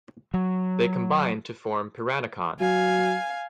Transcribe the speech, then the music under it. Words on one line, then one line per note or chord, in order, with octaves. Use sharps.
They combine to form Piranacon.
F#3
F#3 F5 G#5